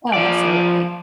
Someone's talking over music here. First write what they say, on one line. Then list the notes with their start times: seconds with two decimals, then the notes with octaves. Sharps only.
Oh, absolutely,
0.14 F3 D5